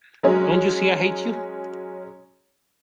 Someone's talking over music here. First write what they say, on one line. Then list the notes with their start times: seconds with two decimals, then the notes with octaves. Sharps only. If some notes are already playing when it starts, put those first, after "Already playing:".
Don't you see I hate you.
0.23 F#3 G#3 C#4